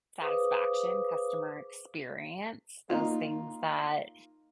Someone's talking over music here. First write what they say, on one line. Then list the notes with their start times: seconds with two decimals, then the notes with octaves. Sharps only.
satisfaction, customer experience, those things that,
0.21 G#4 B4 C5 F5 D6 D#6
2.90 A#3 D#4 F4